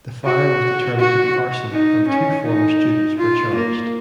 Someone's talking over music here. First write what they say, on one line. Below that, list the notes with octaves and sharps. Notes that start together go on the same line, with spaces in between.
The fire was determined to be arson, and two former students were charged.
F#4
F#4
D#4
C#4
D#4
F4
A#3